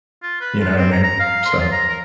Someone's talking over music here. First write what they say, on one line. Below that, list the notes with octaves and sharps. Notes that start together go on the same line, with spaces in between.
You know what I mean? So
F4
B4
F4
C4
A#5
A#5
F5
C6
F4
A#5
A#4